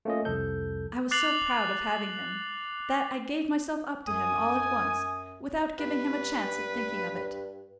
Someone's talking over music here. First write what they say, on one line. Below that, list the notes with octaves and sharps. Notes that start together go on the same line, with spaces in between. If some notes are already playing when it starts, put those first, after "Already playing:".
I was so proud of having him, that I gave myself up to him all at once, without giving him a chance of thinking of it.
A3 A#3 C#4 F4 D#5
C2 F2 A4 G6
D6 F#6 A6 C7 F7 F#7
F#2 G#5 D#6
G2 B4